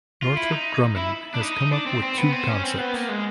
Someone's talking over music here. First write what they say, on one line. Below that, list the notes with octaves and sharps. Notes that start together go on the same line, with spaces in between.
Northrop Grumman has come up with two concepts.
F4
E4
D#4
E4
D4
D#4
D4
C4
C4
B3
C4
C#4
C4
B3
A#3
G#3